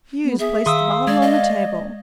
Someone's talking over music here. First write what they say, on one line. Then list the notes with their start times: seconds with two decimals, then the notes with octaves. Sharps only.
Hughes placed the bottle on the table.
0.25 B3
0.40 G#4 E5
0.66 D#3 G#4 F5 C6 D#6 E6
1.07 G#3 D5
1.22 D5 D#5